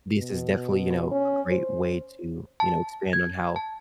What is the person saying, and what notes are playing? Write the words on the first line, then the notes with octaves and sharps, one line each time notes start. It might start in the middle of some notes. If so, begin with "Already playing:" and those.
this is definitely, you know, a great way to, you know, expand on how
B2
C#4
C5
A5
G#6
A5